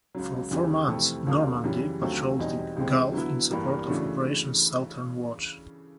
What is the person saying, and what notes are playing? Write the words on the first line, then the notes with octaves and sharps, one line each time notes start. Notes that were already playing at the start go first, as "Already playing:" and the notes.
For four months "Normandy" patrolled the Gulf in support of Operation Southern Watch.
C#2 C#3 F#3
E2 C#3 E3 G3
F2 C3 E3 A3 C4
D#2 C#3 F#3 A#3 D4
F#2 C#3 E3 G3
D#2 D3 F#3 A3 C4
E2 B2 G3 C4 D#4
C#2 C3 E3 G#3 C4
D3 F#3 B3 E4
G2 E3 G3 A#3 D4
C#3 E3 A3 D4 F#4